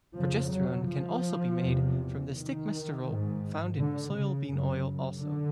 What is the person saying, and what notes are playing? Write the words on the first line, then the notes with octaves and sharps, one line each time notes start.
Progesterone can also be made from the stigmasterol found in soybean oil also.
F2 C#3 F3
F#3
F3
E2 C3
D#3
G#2
D3
C#3
F#2 C#3
D3